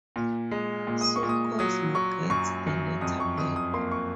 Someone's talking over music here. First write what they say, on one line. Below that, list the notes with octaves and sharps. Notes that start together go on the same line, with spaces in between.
So Cosmo gets the letter back.
A#2
G#3
A#2
D#6
C#6
A#2
D#6
F#3 D#6
F#3 C#6
F#2 C#6
F#2
F2 D#6
C#6
F2 D#6
D#6
A#3 C6
C#6